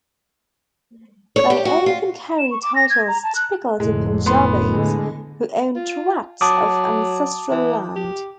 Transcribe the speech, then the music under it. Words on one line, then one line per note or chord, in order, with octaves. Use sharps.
They often carry titles typical to Punjabis who own tracts of ancestral land.
C#5
G4
F#4
F4
E7
C#6
D6
A#6
G#6
A#5
A5
F#6
F1 A2 D3 G#3
A2 B3 C6
D3 G#3
F4
F#3 A5 D6 D#6
E3
G4